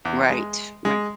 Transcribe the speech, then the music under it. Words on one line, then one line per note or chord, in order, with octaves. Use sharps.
Right, right.
E2
G#3
G#3